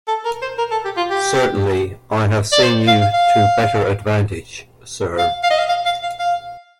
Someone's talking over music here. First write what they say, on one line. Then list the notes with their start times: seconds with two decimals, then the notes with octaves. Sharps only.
Certainly I have seen you to better advantage, sir.
0.08 A4
0.25 A#4
0.42 C5
0.58 A#4
0.71 A4
0.85 G4
0.97 F4
1.10 G4
2.52 D5
2.63 C5
2.88 F5
3.01 F5
3.14 F5
5.18 F5
5.44 F5
5.51 D#5
5.59 F5
5.69 F5
5.86 F5
6.03 F5
6.19 F5